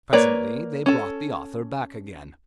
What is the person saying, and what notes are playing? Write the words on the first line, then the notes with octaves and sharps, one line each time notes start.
Presently they brought the author back again.
A#3 B4 C#5 D5
C#4 A4